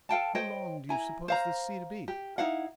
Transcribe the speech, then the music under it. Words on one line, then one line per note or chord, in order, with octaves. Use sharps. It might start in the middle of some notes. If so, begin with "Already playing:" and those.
"How long do you suppose this sea to be?"
A4 F5 G5 A5
C5 C#5 D#5 G5
E4 G#5 A#5
C5 F5 A#5
G4
D#4 E4 F5 F#5